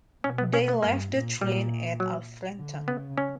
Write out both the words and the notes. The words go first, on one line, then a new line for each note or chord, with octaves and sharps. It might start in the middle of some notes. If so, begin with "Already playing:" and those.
They left the train at Alfreton.
B2 C#4
B3
C#4
B3
G2 A#3
A#2
A#2 G3
F#3
D3
C#3 B3
C#4